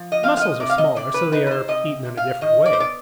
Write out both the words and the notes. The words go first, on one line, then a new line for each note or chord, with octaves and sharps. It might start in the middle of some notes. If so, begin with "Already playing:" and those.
Mussels are smaller, so they are eaten in a different way.
Already playing: F3
D#5
C4 F5
F5
D#5
C3 D5
F5
D#5
C3 D5
B4
D#4 B4
B4
C5
C3 D#5
C3
F5
D#3 D#5
D5
C5
B3 D5